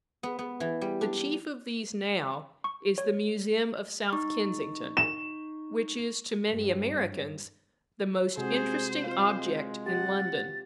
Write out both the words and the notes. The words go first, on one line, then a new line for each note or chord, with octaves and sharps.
The chief of these now is the Museum of South Kensington, which is to many Americans the most interesting object in London.
B3
B3
E3
G3
D4
C#6
C#5
D#4 C#6
E7
G2
C3 G#3 F#4 G#4 C5
G#3 F4 F5
G4 F#5 A6